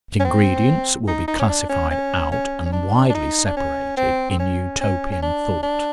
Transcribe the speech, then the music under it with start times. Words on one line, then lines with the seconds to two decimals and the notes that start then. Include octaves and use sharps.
Its ingredients will be classified out and widely separated in Utopian thought.
0.20 C#4
0.25 C4
1.08 D#4
1.28 D#4
1.39 C#4
1.49 D4
1.69 C#4
1.91 C#4
2.32 C#4
2.65 C#4
2.73 D4
3.09 D4
3.14 D#4
3.46 D4
3.57 C#4
3.97 C4
4.30 C4
4.40 C#4
4.81 C#4
5.12 C#4
5.22 D4
5.63 D4